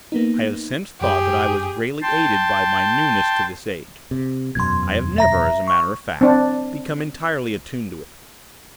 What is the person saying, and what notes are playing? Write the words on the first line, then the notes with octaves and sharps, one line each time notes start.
I have since thought that I was greatly aided by my newness to this age. I have never, as a matter of fact, become entirely attuned to it.
A#3 B3 D#4
F#2 G4 G#4 G5
G5 A5 C6
C3
E1 F#2 B2 C6 G#6
E5 A#5 A#6
C#6
C4 D4